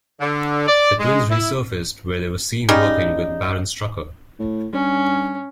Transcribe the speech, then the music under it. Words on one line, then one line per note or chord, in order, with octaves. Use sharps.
The twins resurfaced, where they were seen working with Baron Strucker.
D3
D5
G#3
E4
C#3 G3 D#4
A2
G2 C#4